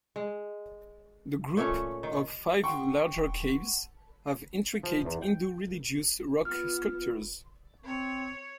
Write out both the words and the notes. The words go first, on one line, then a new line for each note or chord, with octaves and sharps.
The group of five larger caves have intricate Hindu religious rock sculptures.
G#3
A#2 A3 C#4
D#3
F#5 G5 C6 C#6
F3
E2
G5
B3 F4 F6
C4 C#5